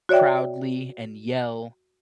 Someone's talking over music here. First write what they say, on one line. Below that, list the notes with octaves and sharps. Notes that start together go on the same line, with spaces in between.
proudly and yell,
F#4 C#5 D5 E5 G5